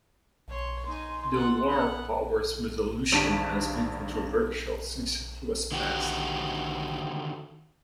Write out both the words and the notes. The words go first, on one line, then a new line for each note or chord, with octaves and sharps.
The War Powers Resolution has been controversial since it was passed.
C#5 C6
D#4 G#5 C6
A4 F#5
B3 F#5
G#1 G2 D4 A5 B6 D7
D3 D#3 F#4 G4